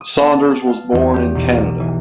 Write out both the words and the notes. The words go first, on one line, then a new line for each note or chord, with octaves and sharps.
Saunders was born in Canada.
D#6
B3
A5
E7
F5
E2
G4
B1
F6
E3